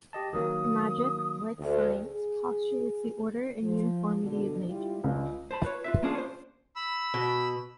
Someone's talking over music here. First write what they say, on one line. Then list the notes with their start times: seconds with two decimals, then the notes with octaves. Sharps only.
Magic, like science, postulates the order and uniformity of nature.
0.13 G4 D#5 A5
0.33 D#3 F#3 A#3 D#6
1.58 D2
2.04 G#4
3.63 F3
4.23 B2 D3
4.67 G3 E4 F4
5.04 C#2 D4 F4
5.51 C5 A5 B5
5.63 F4 B4 C#5
5.84 F4 B4 E5
6.02 A#3 B3 C#4 D4 F4 G#4
6.15 C5 C#5
6.76 B5 E6
7.14 B2